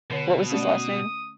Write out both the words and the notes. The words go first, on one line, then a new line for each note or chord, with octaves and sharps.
what was his last name?
B2 D3 C#5
A3 C#4 D5 D#6